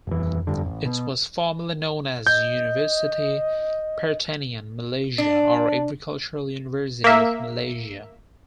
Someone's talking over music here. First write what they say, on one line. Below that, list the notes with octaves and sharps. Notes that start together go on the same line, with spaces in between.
It was formerly known as Universiti Pertanian Malaysia or Agricultural University of Malaysia.
D#1 F2 E3
F1 G2 D3
A1
B2
D#5 G6
D4
A#3 E5